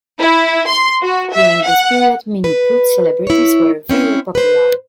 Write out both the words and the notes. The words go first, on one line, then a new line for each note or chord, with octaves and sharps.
During this period, Mini-putt celebrities were very popular.
E4
C6
F#4
E5
F#5
B4
E4 C#5
C4 C#4 E4
B4 C5